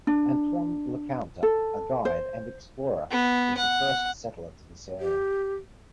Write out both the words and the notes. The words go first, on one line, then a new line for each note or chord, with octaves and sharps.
Antoine LeCounte, a guide and explorer, was the first settler to this area.
D4
A4
C5
B3
F#5
G4